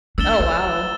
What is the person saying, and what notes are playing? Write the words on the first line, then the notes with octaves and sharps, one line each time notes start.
Oh, wow.
D4 E6 A6 E7 G7
E4